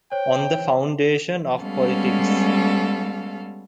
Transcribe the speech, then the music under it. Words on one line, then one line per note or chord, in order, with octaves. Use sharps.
On the Foundation of Politics.
C5 C#5 G5
G3 G#3 B3 C#4 A4 F5